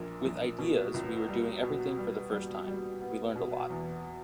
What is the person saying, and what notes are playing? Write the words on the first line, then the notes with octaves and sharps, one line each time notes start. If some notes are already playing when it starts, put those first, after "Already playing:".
With "Ideas" we were doing everything for the first time, we learned a lot.
Already playing: A#1 A#2
A#1
B2
C#2
G3
B2
G3
G3
G3
B3
B2
E2